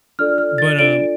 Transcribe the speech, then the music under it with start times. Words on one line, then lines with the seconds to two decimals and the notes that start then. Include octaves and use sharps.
but, um,
0.19 D4 F4 A4 D5 F6
0.38 F6
0.58 A6
0.79 D4 F4 A4 D5 D7